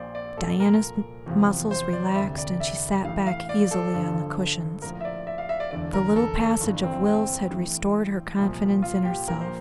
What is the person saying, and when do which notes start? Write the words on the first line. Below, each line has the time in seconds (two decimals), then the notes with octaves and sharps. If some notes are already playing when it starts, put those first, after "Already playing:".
Diana's muscles relaxed and she sat back easily on the cushions, the little passage of wills had restored her confidence in herself.
Already playing: A#1 A#2 F3 C5 D5
0.15 D5
0.37 C2 A#2 F3 A4
0.60 A#4
1.26 E2 C3 F3
1.71 C5
1.93 D5
2.15 E1 D2 C3 E5
2.38 D5
2.60 E5
3.04 A1 A2 E3 F5
3.27 F5
3.49 D5
3.71 A4
3.93 G1 G2 D3 F3
4.82 A#1 A2 F3 A#4
5.01 E5
5.05 D5
5.27 E5
5.38 F5
5.49 E5
5.60 D5
5.71 E1 E2 D3 D5
5.94 A#4
6.16 A4
6.61 G1 G2 E3
6.83 C4
7.06 C4
7.49 A1 A2 E3
8.38 C2 A#2 F3
8.82 F4
9.05 G4
9.27 A#1 A#2 F3 A#4
9.41 C5